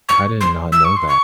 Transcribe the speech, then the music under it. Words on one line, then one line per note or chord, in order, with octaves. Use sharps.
I did not know that.
C#6
C6
E6
C#6
C6
C#6